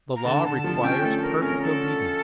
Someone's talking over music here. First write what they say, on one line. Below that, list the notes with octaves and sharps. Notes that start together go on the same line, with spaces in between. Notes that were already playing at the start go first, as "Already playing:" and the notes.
The Law requires perfect obedience.
A#5
D3 A5
D3 A5
F3 A5
C#4 G5
A3 A4
A#4
C#4 A#4
A4